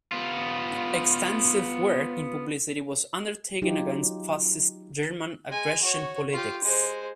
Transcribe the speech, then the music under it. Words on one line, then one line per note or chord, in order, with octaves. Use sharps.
Extensive work in publicity was undertaken against fascist German aggression politics.
B3 F4
F#3 D#4 F4 G4
G#3 G#5
F#4 C#5
F4 G4
G#3 C5